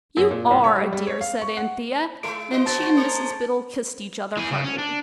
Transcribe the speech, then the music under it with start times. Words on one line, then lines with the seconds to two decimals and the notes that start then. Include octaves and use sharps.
'You ARE a dear,' said Anthea, and she and Mrs Biddle kissed each other heartily.
0.17 F#2
0.31 A#2
0.51 C2
0.64 C#5
0.76 G3
0.93 G3
1.07 C#5
1.21 F5
1.42 C#6
1.57 F#5
2.23 G#3 E4 D7
2.51 E4 F#4 C5 D#5
2.66 A#3 F#4 A5 A6
2.78 F4 F#4
2.95 G#3 A3 C#5
4.37 E3 G#4
4.51 C#3
4.64 C#4
4.78 D4